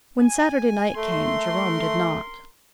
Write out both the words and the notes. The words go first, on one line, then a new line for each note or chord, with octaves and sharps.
When Saturday night came Jerome did not.
G#5
A3 A#4 C6